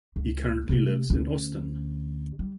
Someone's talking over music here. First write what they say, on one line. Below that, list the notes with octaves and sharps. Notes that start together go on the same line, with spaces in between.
He currently lives in Austin.
C#2
C3 A3
D2 C#4
G3